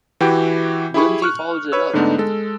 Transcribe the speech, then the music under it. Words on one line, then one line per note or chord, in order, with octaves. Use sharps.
Wimsey follows it up.
E3 E4 F#4 G4 G5 G6
E4 G4 G#4 B5 C#6
C#6 F6 F#6
B4 C#5 E6
G#2 D3 A3 B3 D4 D#4
G#3 A4